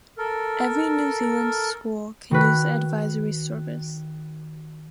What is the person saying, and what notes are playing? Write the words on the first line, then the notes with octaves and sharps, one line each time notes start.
Every New Zealand school can use the Advisory Service.
A4 A#4
D#3 F#4 B4